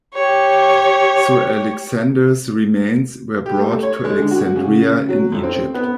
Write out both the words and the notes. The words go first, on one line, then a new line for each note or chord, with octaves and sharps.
So Alexander's remains were brought to Alexandria in Egypt.
G4 C#5
G4
A3
C#5
G#3
D3
F#4
C#3
F#3
F2
C4
B3